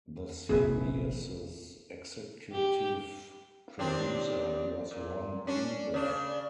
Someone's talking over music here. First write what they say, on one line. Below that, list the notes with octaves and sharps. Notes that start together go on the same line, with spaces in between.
The series' executive producer was Ron Greenberg.
F1 A#1 C4 G#4 B4 E5
G4
D#2 C4 D4
A#2
C#4 D4
C#3 D4